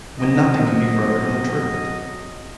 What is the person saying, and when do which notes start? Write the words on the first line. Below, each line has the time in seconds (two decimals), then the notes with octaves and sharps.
When nothing can be further from the truth.
0.18 F#3 C4 D#5